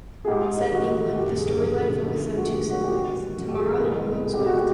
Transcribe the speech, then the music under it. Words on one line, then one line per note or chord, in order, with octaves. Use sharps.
Set in England, the storyline focuses on two siblings, Tamara and William Swift.
G#4
G#2 G4
G#3
G#2
D#3 F#4
G#2
G#3
F#4
F#1 G4
D3
G#4
F#1
A#4
F#2 A4
F#1
D3
B1 A4
F3
G#4
G#3 F#4
A2 G4
B1
F#4
F3
G4
G#1 F#4
D#3
G#3
F#2 F#4
G#1 G4
G#4
D#3
B4
C2 A#4
G#3
B3
B2 G#4
C2 G4
F#4
G#3 G4